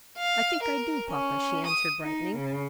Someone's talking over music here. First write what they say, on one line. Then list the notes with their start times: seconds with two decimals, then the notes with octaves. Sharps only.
"I think I do, papa," she answered, brightening.
0.17 F5
0.61 A#4
1.08 C#4
1.65 D#6
2.01 D#4
2.36 C#3